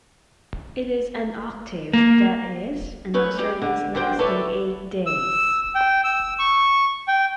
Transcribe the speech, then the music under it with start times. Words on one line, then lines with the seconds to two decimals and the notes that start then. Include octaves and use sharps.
It is an octave, that is, an observance lasting eight days.
1.93 A#3
3.14 G#3 A3 B4 C#5
3.39 G3 G4
3.62 D3
3.95 D2 D3 D4 C5 G5
4.19 A4 B4 C#5 D5 E5
5.06 E6
5.75 G5
6.04 E6
6.39 C#6
7.08 G5